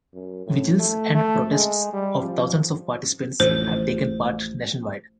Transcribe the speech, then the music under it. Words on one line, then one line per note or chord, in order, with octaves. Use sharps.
Vigils and protests of thousands of participants have taken part nationwide.
F#2
A2
A3
A3
G#3
G3
F3
A1 F2 A2 C5